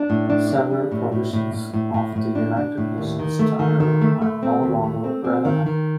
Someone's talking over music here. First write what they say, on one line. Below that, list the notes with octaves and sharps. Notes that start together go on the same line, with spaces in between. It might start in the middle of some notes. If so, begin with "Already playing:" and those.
Several provisions of the United Nations Charter are no longer relevant.
Already playing: D4
A2
D4
D4
G3
A2
A2
A2
A2
A2
A2
A2
D4
D4
A2
D#2
D#3
A3
D#3
D#3
A3
A3
C4
D#2
A3
C4
C4
D#3
D#3